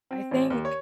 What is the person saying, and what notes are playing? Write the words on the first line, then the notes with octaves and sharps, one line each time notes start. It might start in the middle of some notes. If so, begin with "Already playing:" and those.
I think
C4
A1
D#2
C#5